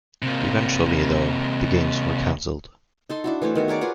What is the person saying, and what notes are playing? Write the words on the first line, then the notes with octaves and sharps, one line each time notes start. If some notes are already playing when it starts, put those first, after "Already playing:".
Eventually, though, the Games were canceled.
C3 A#3
D#4 A4 C6
D4 E4 F#4
E3 A3 C5 C#5
D#3 B3 F#4
G#4 A#4 C#5 D5
F4 G#4 B4 F#5